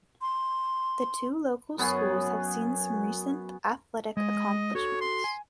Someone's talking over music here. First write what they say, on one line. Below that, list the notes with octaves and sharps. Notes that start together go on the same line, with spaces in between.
The two local schools have seen some recent athletic accomplishments.
C6
F#2 B3 F#4 G#4
G#3 D#5
F#4 A4 C#5
C6
G#5